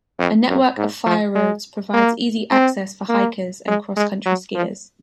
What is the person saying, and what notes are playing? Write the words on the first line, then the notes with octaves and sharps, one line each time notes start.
A network of fire roads provides easy access for hikers and cross-country skiers.
F2
F#2
G#2
F3
G#3
A#3
C4
A#3
G#3
G#3
F#3
F3